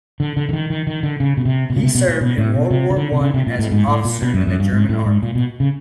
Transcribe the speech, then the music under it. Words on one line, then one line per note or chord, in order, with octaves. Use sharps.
He served in World War One as an officer in the German Army.
D3
D3
D3
D#3
D#3
D#3
D3
C#3
B2
C3
B2
C#3
C3
B2
A#2
B2
A2
B2
C3
C#3
D3
C3
C#3
C3
A#2
A2
G#2
A2
A#2
B2
F#2
F#2
G2
G#2
A2
G#2
A#2
B2
C#3